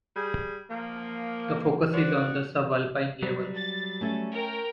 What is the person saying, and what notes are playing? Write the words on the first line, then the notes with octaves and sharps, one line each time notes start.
The focus is on the subalpine level.
G3 G#4
F3 A#3
F#4 C5 D5
F#3 G3
A6
A3 C#4 E5
A#4 G5